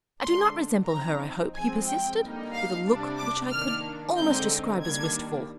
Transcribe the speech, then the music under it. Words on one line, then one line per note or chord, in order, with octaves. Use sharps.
'I do not resemble her, I hope,' he persisted, with a look which I could almost describe as wistful.
D3 G#3 D4 C6
F3 C4 D#4 A#5
F3 G#3 C4 G#5
G5
D3 G3 A#3 D#4
F5
C3 G3 D4
D6
D#3 A#3 D4 F6
D3 G#3 C4 D#4 G6
D#3 G3 A#3 D4 G#6